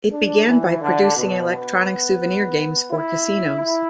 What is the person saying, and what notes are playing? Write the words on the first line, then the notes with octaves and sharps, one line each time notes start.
It began by producing electronic souvenir games for casinos.
D4
E3
D3
B2
B3
E4
E4